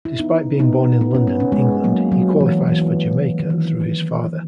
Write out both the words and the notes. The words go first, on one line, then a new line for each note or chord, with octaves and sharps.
Despite being born in London, England he qualifies for Jamaica through his father.
E4
B3 D#4
B3 D#4
B3
C#4
B3
C#4
G#3 B3
F#3 A#3
F#3
E3
E3
D#3
E3
E3